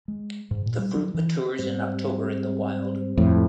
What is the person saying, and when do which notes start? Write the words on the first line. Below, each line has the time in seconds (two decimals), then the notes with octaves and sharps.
The fruit matures in October in the wild.
0.08 G#3
0.51 G#2
0.66 A#2
0.79 G3
0.96 F#3
1.14 E3
1.59 G#2 G3 C4
3.17 F2 A2